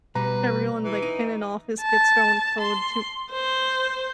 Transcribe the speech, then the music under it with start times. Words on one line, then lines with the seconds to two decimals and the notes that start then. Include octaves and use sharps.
everyone, like, in an office gets their own code to
0.15 B2 G3 B4 A#5
0.84 E3
1.02 D#4
1.81 A5
2.60 C6
3.32 C5